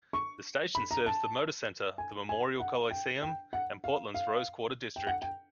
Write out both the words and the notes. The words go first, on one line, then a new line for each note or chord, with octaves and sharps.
The station serves the Moda Center, the Memorial Coliseum, and Portland's Rose Quarter district.
C#6
B5
A#5
A5
G#5
G#5
F#5
G5
G5
F#5
F5
F5
G5
F#5
G5